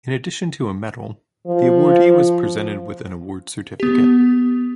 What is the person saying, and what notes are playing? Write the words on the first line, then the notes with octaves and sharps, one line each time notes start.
In addition to a medal, the awardee was presented with an award certificate.
F3
B3 G4